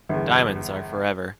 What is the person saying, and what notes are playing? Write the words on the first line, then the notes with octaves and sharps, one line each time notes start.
Diamonds are forever.
G1 E2